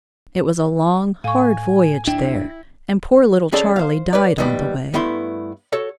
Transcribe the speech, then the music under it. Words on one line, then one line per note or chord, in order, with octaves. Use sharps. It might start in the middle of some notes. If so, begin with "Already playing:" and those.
It was a long, hard voyage there, and poor little Charlie died on the way.
A2 F5 G#5 C#6
D2 D4 E4 G5
F2 C#4 G#4 A4 D5 A5
C5 F5
B4 C#5 D5
D#2 F#3 G3 B3
G2 A3 B3 E4 C6
F#4 A4 C#5